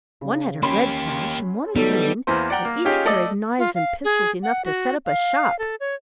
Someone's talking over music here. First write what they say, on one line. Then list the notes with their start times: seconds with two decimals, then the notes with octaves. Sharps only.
One had a red sash and one a green, and each carried knives and pistols enough to set up a shop.
0.21 C#3
0.63 A#3 C#4 G4 B5 C6
1.76 F#3 G3 B3 D#4 A4
2.27 E2 E3 A#3 C5
2.50 D5 F#5 G5 A#5
2.65 A#3
2.85 C#4 D#4 F4 G4 G#4 C#5
3.05 A3 A4 D5 D#5
3.59 F4
3.75 F5
4.04 G#4
4.43 F#5
4.65 F#4
5.06 F5
5.59 A4
5.80 C#5